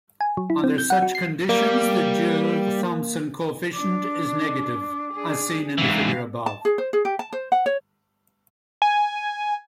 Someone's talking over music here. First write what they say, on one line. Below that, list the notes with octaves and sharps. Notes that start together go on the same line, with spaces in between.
Under such conditions, the Joule-Thomson coefficient is negative, as seen in the figure above.
G#5
F#3
E4
C4
G6
F#5
F#4
C7
G3 A#3
D4 D6
D4 G#4
G#2 C3 E3 F5
A5
G#4
C5
G#4
G4
A5
C5
F#5
C#5
G#5